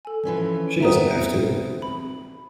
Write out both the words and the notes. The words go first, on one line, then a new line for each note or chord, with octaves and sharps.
She doesn't have to.
A4 G#5
E3 F3 C#4
B3 C4 E5 A#5 D#6
B5